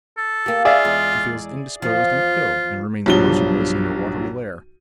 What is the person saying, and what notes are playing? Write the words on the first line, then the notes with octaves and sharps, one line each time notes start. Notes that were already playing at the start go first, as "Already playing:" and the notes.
She feels indisposed and ill, and remains motionless in her watery lair.
A4
A#3 G4
F4 G#4 D5 E5
E2 G#3
E2 F3 F4
B1 G2 F3 F#3 G7